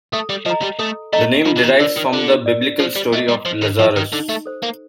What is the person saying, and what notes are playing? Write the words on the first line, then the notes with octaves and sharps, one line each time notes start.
The name derives from the Biblical story of Lazarus.
A3 A4
G3
F3 D#5 A#5
G3
A3 A4
A3 D#5 A#5
F3 F4
D3
D#3
D3 A#4 D5
D#3
D3 F4
A#4 D5
F3 C5
G3
A3 D#5 G5
G3
F3 C5
D#3
F3 D#5 G5
D#3
D3 D#4
A3
A4 C5
A#3